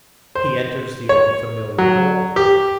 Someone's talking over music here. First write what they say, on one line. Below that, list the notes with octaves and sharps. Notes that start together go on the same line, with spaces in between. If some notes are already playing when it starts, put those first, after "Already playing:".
He enters the old familiar door.
C5
C#5
F#3
G4